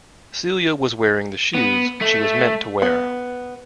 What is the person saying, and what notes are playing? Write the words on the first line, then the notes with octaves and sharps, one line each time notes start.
Celia was wearing the shoes she was meant to wear.
B3
A3
B3